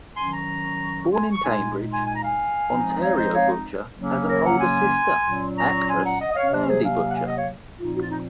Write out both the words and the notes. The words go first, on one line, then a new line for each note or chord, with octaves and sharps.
Born in Cambridge, Ontario, Butcher has an older sister, actress Mandy Butcher.
D#3 F#3 C#4 G#5 C6
A#5 C#6
G#5 C6
C#6
A#2 G#3 D#4 G#5 C6
G#5 C6
G#5
A#5
F5 G#5
F3 G#3 C4 D#4
C#5 F5
C5 D#5
C#5 F5
C#3 F#3 A#3 C#4
A#4 C#5
F#5 A#5
G#5 C6
A#2 F#3 C#4
A#5 C#6
G#5 C6
F#5 A#5
D#5 F#5
D#5
C#5 F5
C3 F#3 A#3 C5 D#5
G#4 C5
F5 G#5
F#5
F5 G#5
D#5 F#5
C#5 F5
A#2 F3 C4 D#4 F4
F#4
F4
D#4